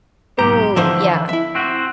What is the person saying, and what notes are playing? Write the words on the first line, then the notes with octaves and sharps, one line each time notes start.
Ooh, yeah.
B1 G#2 G4 A#5
D3 E3 F3 C5
E4 E5
C4 F#4